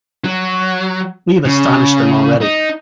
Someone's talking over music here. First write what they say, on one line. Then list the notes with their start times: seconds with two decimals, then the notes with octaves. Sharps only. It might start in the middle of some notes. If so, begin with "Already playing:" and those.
We have astonished them already.
0.25 F#3
1.45 C#3
2.41 D#4